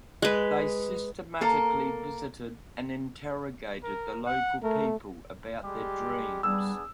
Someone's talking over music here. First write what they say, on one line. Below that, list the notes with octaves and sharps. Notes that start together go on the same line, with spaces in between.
They systematically visited and interrogated the local people about their dreams.
G#3 B4
A#3 A4 A#4
A#4
F#5
A3 A#4
G3 G#3 G4
G3 B3 D4 G#4 E6